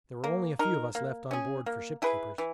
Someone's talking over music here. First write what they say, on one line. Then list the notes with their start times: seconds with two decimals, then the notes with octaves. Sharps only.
There were only a few of us left on board for ship-keepers.
0.24 A#3
0.59 D#4 A#4
0.95 A#3
1.31 C#4 G#4
1.66 A#3
2.02 E4 G#4 B4
2.38 E3